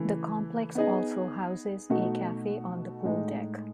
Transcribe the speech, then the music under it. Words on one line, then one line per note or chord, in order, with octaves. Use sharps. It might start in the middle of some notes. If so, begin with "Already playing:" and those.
The Complex also houses a cafe on the pool deck.
Already playing: C#3 E3 A3 E4
B3 D#4 G#4 D#5
B2 A3 D#4 F#4
A2 G#3 D#4